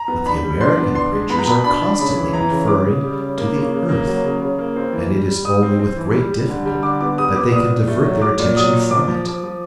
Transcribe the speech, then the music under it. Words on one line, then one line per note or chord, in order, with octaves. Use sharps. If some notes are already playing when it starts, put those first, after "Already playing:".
But the American preachers are constantly referring to the earth; and it is only with great difficulty that they can divert their attention from it.
Already playing: A#5
B3
D4 B5
G3
D4 C6
B3
D4 C6
G#3
B3 B5
A#5
B2 B5
D4 B5
D4
C#3 B5
E3
E3 A#5
C#3
C#3 D6
C#3
G3
C#3
A#3
C#3
C#3
A#3
F#3
C#3
C#3
A#3
C4
E3
G3
G3
G3 D#6
C4
C4
E3
G3
G3
D3
G3
D3 D6
B3 D6
G3 D#6
B3 D6
A#2 D#6
A#2
A3
F#3
F#3 D6
A#2
F#3 D#6
A#2
F3 D6
F3
F3
F3